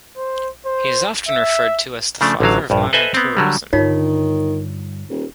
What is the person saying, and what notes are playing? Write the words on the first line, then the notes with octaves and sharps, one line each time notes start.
He is often referred to as the 'father of modern tourism'.
C5
C5
E5
C#3 F3 A3 D4
A1 D3 F#3 F5
A#1 G2
A4 B4 C5 D#5 E5 G#5
B3 C4
D3 F#3 G3
G2 D3 D#3 D#4 F4 C#5
D#1